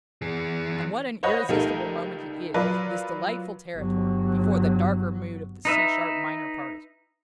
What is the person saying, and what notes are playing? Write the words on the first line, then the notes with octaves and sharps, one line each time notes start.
And what an irresistible moment it is, this delightful territory, before the darker mood of the C sharp minor part is reached!
E3 G#4
C5 C#5 D#5 F#5 B5
C#2 G3 A3 D#4 A#4 D#7
F#3 F4 A#4 B4 D5
G1 F#3
D#4 B4 E5